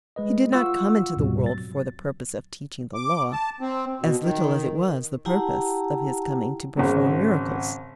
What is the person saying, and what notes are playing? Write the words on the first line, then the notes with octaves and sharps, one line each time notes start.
He did not come into the world for the purpose of teaching the Law, as little as it was the purpose of His coming to perform miracles.
G#3 B4 D#5
F4 F5 F#5 C#6 E6
D2 G#2 B2 G3 C4
F#3 A6
D6
A5
C4
B2
D#3
E4 G4 F#5 G5 A5 A#5
G#1 C#3 F#3